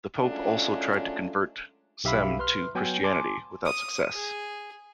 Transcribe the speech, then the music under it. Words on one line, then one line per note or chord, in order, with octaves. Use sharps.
The Pope also tried to convert Cem to Christianity, without success.
F#3 G#3 A3 C#4 D4 F4
B1 G4 E5 F5 B5
B4 C6 F6
F#3 B3 G5 G#5 G6
G#5 A5 C6 D6
D#6
G#4